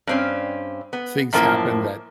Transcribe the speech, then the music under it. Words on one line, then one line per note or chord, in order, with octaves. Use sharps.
things happen that
G2 C4 C#4
B3
F#2 A2 F3 A#3